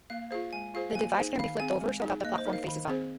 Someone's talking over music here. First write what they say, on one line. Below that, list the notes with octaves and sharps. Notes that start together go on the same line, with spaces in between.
The device can be flipped over so that the platform faces up.
A#3 F5
F4 G#4 C5 F5
G#3 G#5
F4 G#4 C5 F5
A#3 G#5
D#4 G#4 C5
D#3 F5
C4 G#4 G#5
G#3
D#4 G#4
A#3 D#5
C5
D#4 A#4
F5
D#3
C4 G#4 C5